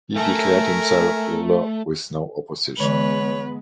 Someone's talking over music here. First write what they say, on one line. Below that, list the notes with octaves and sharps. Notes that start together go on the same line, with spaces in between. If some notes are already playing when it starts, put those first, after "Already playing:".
He declared himself ruler with no opposition.
A3 A4 A#4 E5 G#5
D3 E3 G#3 B3 B4 C#5